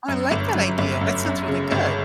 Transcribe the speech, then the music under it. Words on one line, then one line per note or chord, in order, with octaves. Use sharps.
Oh, I like that idea. That sounds really good.
F#2
G1
F#3
G1
F#2
F#2
C#3
G1